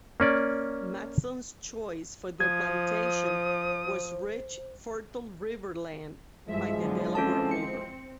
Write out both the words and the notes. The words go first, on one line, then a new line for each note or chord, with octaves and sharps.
Mattson's choice for their plantation was rich, fertile river land by the Delaware River.
A#3 C#4 D5
F3 C5 D#6 G#6
G2 E3 F3 G#3 E5
F#2 D3 B3
C4 C#4 A4 A5
C#7